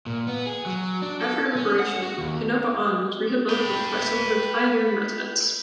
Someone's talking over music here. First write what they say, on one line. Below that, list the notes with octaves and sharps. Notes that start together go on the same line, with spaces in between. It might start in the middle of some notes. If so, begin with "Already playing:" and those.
After Liberation, Hinoba-an was rehabilitated by some of its pioneering residents.
A#2
B3
G#4
F#3
D4
A4
C#4
F#5
F#4
D#2
B4 G5